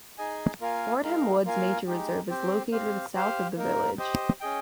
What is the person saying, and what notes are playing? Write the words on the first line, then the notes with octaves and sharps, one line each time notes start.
Fordham Woods nature reserve is located south of the village.
D#4 G#4 D#5 G#5
A#3 F4 A#4 F5 G#5
G#3 D#4 A#4 F5
A#3 F4 A#4 F5 G#5
G#3 D#4 G4
C4 G4 C5
C4 G4 C5 F5
G4 C5 F5
A#3 D#4 A#4
G4 C5 D#5
C#4 G#4 D#5 G5